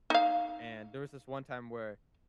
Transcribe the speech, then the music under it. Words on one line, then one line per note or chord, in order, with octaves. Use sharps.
and there was this one time where,
D#4 F5